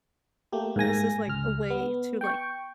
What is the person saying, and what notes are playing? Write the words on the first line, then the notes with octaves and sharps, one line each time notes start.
this is, like, a way to, like,
A3 A#3 G4
G#2 A#3 G#5 A#6
C#2 F6
B3
G5 C#6